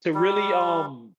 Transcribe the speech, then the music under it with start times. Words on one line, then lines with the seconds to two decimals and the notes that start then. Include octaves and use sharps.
to really, um,
0.14 G3